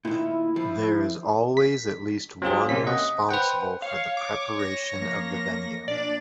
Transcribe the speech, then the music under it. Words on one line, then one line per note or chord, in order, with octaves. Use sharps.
There is always at least one responsible for the preparation of the venue.
A#2 D#3 E4
F3
B6
F#3 C4 F4 G#4
C3 A#3 C#4 B6
D#5 F#5
B4 C5 F#5 G5
C#5 F5
D6
A#6
F3 A#3
A#2 D4 D5